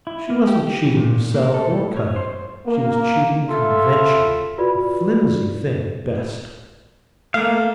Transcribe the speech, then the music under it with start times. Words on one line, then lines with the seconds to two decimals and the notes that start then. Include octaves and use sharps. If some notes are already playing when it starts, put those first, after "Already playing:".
She wasn't cheating herself or Cutty: she was cheating convention, a flimsy thing at best.
0.07 E4
0.30 A#3
0.47 G4
0.85 E3
0.97 A#2
1.34 A#3
1.54 A4
1.71 A2
1.97 C#5
2.16 C5
2.66 A#3
3.49 E4 F4 A4 E5
4.58 F4 F#4 B4 D5 B5
7.34 A3 A#3 F5